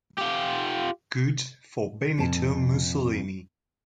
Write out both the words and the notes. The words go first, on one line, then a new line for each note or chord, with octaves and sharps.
Good for Benito Mussolini.
F4 G4
F2 A#2 C4 A5